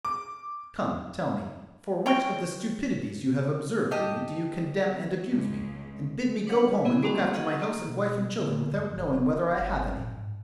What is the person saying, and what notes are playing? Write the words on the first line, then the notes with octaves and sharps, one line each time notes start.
Come, tell me, for which of the stupidities you have observed in me do you condemn and abuse me, and bid me go home and look after my house and wife and children, without knowing whether I have any?
D6
C#5 G5
G4 D#5 A5
C#2
D4 B4 C#5 F5 F#5
A#3 B3 E4 G#4
G3 A3 A#3 C4 C#4 F#4
G#4 D#5 F#5
A#3
B2
D3
G2
F1
D#1
G1
A#2
G#2